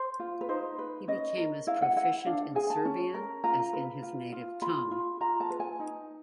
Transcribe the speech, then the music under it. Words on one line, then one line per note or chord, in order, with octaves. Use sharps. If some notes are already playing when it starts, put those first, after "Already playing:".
He became as proficient in Serbian as in his native tongue.
Already playing: C5
F4
B4
D#4 C5
B4
C#4 D#5
A#4
E4 F5
F#5
E4 F#5
D4 F5
G#4 G#5
A5
C#4
A#4
F4 A#5
B4
F4
F4
F4 B5
F4
F4 A#5
A5
B4
G#5
D#4